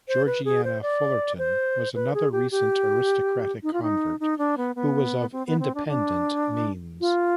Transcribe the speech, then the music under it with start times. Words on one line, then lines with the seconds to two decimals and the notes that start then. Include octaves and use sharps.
Georgiana Fullerton was another recent aristocratic convert who was of independent means.
0.08 C5
0.26 B4
0.45 G#4
0.64 C5
0.82 D5
1.38 C5
1.95 B4
2.14 G#4
2.32 G4
2.51 G4
3.63 D#4
3.73 F4
3.82 D#4
4.20 D#4
4.38 D4
4.57 B3
4.75 B3
5.32 C4
5.47 B3
5.59 C4
5.75 D4
5.88 D4
7.00 F4